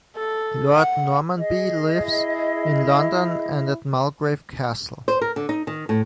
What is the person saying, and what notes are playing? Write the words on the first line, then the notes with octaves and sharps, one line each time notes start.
Lord Normanby lives in London and at Mulgrave Castle.
A4
F#5
G#4 D#5
E4
C5
A#4
D3
D#4
D#3
A2